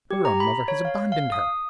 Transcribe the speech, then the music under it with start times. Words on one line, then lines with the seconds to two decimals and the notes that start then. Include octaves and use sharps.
Her own mother has abandoned her.
0.11 G4
0.25 A#5
0.40 B5
0.68 C#5
0.85 F5
1.12 F5
1.32 D#6